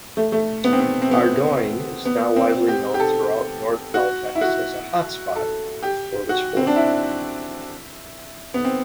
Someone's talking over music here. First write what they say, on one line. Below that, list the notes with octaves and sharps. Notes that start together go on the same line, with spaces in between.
Ardoyne is now widely known throughout north Belfast as a hotspot for the sport.
A3
A3
B3
C4
B3
C4
B3
B3
C4
G4
G4
A4
F#4
E4
F#4
A4
G4
F#4
C4
D4
E4
B3
C4